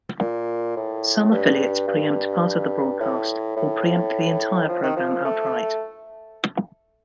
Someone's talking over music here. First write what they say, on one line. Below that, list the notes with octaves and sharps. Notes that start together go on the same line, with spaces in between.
Some affiliates preempt part of the broadcast or preempt the entire program outright.
A#2
A2
G2
G2
A2
A2
F3
D#3
F3
A3